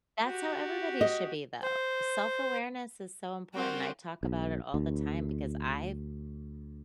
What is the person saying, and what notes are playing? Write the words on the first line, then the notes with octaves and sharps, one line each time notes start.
That's how everybody should be, though. Self-awareness is so important. I talk about it all the time because I've
F#4 G4
D#5
C5
G3 C4 F#4 A#4 C5
B1
D2